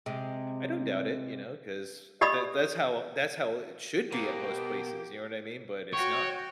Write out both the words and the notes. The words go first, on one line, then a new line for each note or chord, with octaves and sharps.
I don't doubt it, you know, 'cause, uh, that that's how that's how it should be at most places. You know what I mean? But it's not.
C3 G#3
G4 D5 D#5 B5 D#6
B2 A#3 G4
F#4 C#5 G5